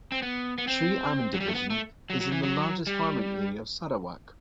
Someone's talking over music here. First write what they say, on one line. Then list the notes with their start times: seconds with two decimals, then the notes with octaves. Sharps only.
Sri Aman Division is in the largest farming area of Sarawak.
0.12 C4
0.22 B3
0.58 B3
0.67 C4
1.34 F#3
1.40 G3
1.48 A3
1.55 B3
1.70 A3
2.10 F#3
2.21 F#3
2.32 E3
2.43 F#3
2.87 G3